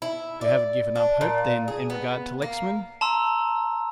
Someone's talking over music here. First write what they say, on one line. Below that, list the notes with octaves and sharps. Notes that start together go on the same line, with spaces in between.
"You haven't given up hope, then, in regard to Lexman?"
E4
D5
D4
A#2
G#4
B3
A#3
A5 A#5 C6 E6